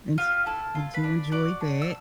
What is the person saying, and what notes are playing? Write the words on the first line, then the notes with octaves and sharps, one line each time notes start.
and s I do enjoy that.
F4 G4 F5
E4 A4 A5
F4
B4 B5
D4
F#4 D5 D6
D4
E6